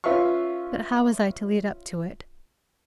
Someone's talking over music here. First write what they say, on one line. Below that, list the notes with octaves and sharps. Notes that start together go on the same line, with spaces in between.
But how was I to lead up to it?
C#4 F4 B4 E5 F5 C#6